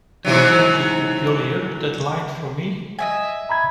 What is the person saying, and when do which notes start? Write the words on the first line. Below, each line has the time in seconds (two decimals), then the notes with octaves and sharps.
Do you think you could jolly up that line for me?
0.25 G#2 E3 F#3
2.99 D#5 E5 G#5
3.49 A#5 B5 G#6